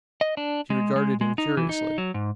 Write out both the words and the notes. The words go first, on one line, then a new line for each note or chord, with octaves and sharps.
She regarded him curiously.
D#5
D4
G#3
G#3
G#3
D#4
E3
D#4
F#3
G#2